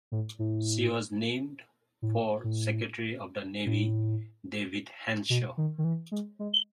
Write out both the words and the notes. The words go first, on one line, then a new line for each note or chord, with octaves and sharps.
She was named for Secretary of the Navy David Henshaw.
A2
A2
A2
A2
A2
B2
D#3
D#3
E3
G#3
G#3